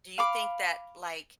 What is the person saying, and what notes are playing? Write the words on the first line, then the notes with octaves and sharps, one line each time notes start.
do you think that, like
F5 B5 D6